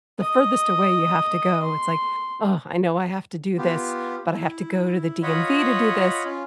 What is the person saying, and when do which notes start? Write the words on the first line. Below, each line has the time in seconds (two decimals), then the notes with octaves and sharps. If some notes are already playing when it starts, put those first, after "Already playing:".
the furthest away you have to go, it's like, "Ugh, I know I have to do this, but I have to go to the DMV to do this,
0.20 D#5
1.63 C6
3.58 B3 F4 G4
4.32 E4
5.22 F4 C#5 D#5 F#5 B5
6.25 C#4 F4